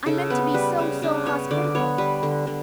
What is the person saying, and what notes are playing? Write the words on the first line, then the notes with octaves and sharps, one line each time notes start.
I meant to be so--so--hospitable.
C#3 A4
B3 B4
G3 B4
C#3
C#3 D4
B3 C#5
D3 D5
B3 C#5
G3 B4
D3
D3